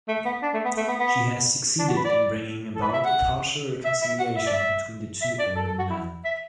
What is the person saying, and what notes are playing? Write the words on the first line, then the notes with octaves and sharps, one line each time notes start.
She has succeeded in bringing about a partial reconciliation between the two elderly men.
A3
B3
D4
A3
B3
A3
B3
B3
D4
F#4
B4
D5
A4
B4
E5
F#5
E5
E5
F#5
E5
D5
E5
E5
D5
A4
A4
F#4
E4
E5